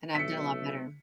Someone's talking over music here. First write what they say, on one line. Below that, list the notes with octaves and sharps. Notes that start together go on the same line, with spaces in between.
and I've done a lot better.
B1 A3 B6 C#7